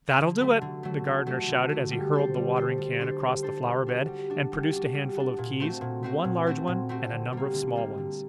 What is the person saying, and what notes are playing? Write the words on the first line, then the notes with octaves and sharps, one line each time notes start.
"That'll do it!" the Gardener shouted, as he hurled the watering-can across the flower-bed, and produced a handful of keys--one large one, and a number of small ones.
D3
F#3 A3
D3
F#3 A3
D3
F#3 A3
D3
F#3 A3
G3
D4 A4 C5
G3
D4 A4 C5
G3
D4 A4 C5
G3
D4 A4 C5
G3
D4 F#4
G3
D4 F#4
G3
D4 F#4
G3
D4 F#4
A#2
A3 C4 F#4
A#2
A3 C4 F#4
A#2
A3 C4 F#4
A#2
A3 C4 F#4
D3
G3 A#3
D3
G3 A#3
D3